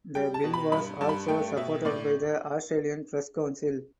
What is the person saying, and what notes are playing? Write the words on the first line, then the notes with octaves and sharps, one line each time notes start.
The bill was also supported by the Australian Press Council.
G3 G5
A5
B2
B5
G2 B5
G2 A5
B5
A3 G5
B2 E5
A2 D5